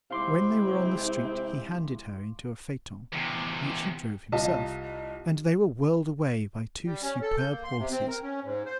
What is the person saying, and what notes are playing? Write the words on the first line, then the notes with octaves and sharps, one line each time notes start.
When they were on the street he handed her into a phaeton, which he drove himself, and they were whirled away by two superb horses.
C3 G#3 C4 E4 F5 C6 D6
E2 C3
C2 F4 D#5 A5
G3
C#4
A4
G6
A#3
C6
C3
C4
A#4
C#4
G#2
C5